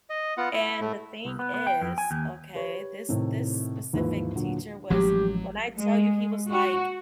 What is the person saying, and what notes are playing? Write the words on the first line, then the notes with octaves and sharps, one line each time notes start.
and the thing is, okay, this this specific teacher was when I tell you he was like
D#5
B3 F4 F#5
E4
A2 A3
C2
B3
B3
G5
F2
G#5
D#2
G4 B4 C#5
A2 C3 D#3
D#2 G#2 E3 F3 E4 B4
A#2 D3 F#3
A1 F3 F#3 G#3 G4
G#3
F#4